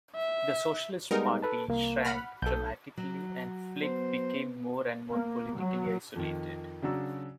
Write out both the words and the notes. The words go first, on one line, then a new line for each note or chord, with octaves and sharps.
The Socialist Party shrank dramatically and Flyg became more and more politically isolated.
E5
G3 G#3 B3 D#4 A#4
A4 B4 A5
C2 A#3
F#5 B5 F6
B1 A4 G6
F#3
B3 C5
A#3
F#3
F2 D#3
C#3 F#3 D4 F#4 A#5 E6